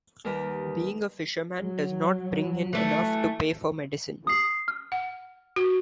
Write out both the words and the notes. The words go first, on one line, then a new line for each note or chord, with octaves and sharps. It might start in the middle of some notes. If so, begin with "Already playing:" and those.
Being a fisherman does not bring in enough to pay for medicine.
D#2 G3 A#4 B4
F#3
E3 A3
D#6 C7
F6
F#5
F#4